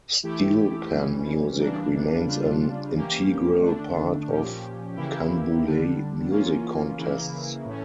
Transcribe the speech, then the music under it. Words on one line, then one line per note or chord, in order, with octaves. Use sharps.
Steel pan music remains an integral part of Canboulay music contests.
E3 A3 E4 G4
E3 G3 C#4
E3 G3 A#3 D4
C#3 G3 D4 F4
E3 A#3 C#4 G4
D3 A3 D4
A#2 F3 C#4 G4
C#3 E3 A#3 E4 G4
D3 G3 D4
E3 A#3 C#4 F4
C#3 E3 A#3 E4
A2 E3 A3 C#4